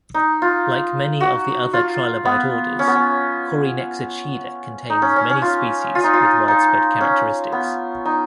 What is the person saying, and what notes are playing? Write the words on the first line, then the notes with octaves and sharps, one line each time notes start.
Like many of the other trilobite orders, Corynexochida contains many species with widespread characteristics.
D#4
F4
F#4
F4
B3
C#4
B3
C#4
D#4
C#4
C#4
C#4
F4
F4
D#4
F4
D#4
C#4
B3
D#4